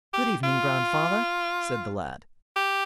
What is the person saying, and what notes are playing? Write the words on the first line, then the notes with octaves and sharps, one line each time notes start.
'Good evening, grandfather!' said the lad.
G4
F4
G4